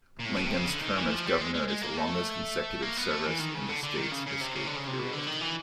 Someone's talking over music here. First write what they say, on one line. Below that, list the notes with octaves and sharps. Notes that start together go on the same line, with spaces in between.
Lincoln's term as governor is the longest consecutive service in the state's history.
A#2
A2
B2
C3
C#3
D3
D#3
E3
F3
G3
G#3
G#3
G#3
A#3
A3
A#3
B3
A3
E3
D#3
C#3
D3
D3
D#3
C#3
C#3
C3
C#3
D3
C#3
C3
B2
D3
D#3
E3